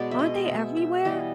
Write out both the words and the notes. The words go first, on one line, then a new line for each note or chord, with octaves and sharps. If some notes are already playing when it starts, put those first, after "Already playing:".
Aren't they everywhere?
Already playing: B2 G#3 B3 D5
E5
D#5
E5
E5
E3 G3 B3 D#5